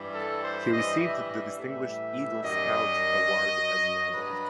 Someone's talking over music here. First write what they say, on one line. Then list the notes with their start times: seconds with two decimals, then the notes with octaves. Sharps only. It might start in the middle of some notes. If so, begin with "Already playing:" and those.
He received the Distinguished Eagle Scout Award as an adult.
Already playing: G2 E3 G3
0.14 A4
0.43 C5
0.71 G2 E3 G3 D#5
0.99 E5
1.57 A2 E3 G3 E5
2.42 F#2 D#3 G3 D#5
3.27 F#2 F#3
4.13 G2 F#3 B4